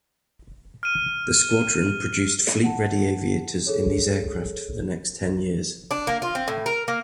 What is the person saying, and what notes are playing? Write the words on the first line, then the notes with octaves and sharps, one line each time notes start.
The squadron produced fleet ready aviators in these aircraft for the next ten years.
F6 D#7
F#5 A5
G#4 A4 C#5
D4
A#3
F4
C4
A2
A#4
A#3